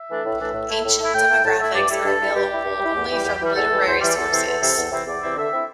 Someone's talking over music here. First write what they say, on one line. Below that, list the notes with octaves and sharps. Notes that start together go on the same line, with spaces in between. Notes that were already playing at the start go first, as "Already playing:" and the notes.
Ancient demographics are available only from literary sources.
Already playing: E5
E3 A3 D4
A2
E3 A3 D4
A2
A3 E4
A2
A3 E4
A2 G5
A3 E4
A2 A5
A3 E4 E5
G2 D5
G3 E4 A4
G2 A4
G3 E4
G2 G4
G3 E4
G2
G3
E4
E2
E3 G3
E2
E3 G3
E2 A4
E3 G3
E2 C5
E3 G3 D5
E2 A4
C3 E3 C4 E4
E2
C3 E3 C4 E4
E2
C3 E3 C4 E4
E2 D5
C3 E3 C4 E4
D3 E5
C4 E4